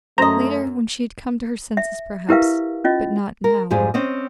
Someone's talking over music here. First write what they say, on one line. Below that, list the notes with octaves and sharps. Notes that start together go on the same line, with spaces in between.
Later, when she had come to her senses, perhaps--but not now.
F#2 A3 C5 D#5 A#5
E5
E4 G4 A#4 B4 E5 F5
C#4 F4 D#5
A#4
F2 G#2 G3 G#4
C4 C#4 D#5